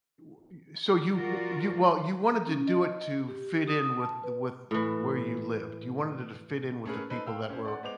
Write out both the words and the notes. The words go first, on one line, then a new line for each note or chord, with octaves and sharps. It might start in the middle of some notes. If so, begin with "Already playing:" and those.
w so you w you well, you wanted to do it to fit in with the with where you lived. You wanted it to fit in with the people that were
F3 F4 F#4 A#4 D5
A#5
C#4
D#5
G4
D#6
A5
B4
A2 E3
A3 C#4 G#4 A#4 B4
D#4 A4 B4 C5
F5 G5 E6
C#4 C5
D5 F#5
G#3 B3 C5 D6 F7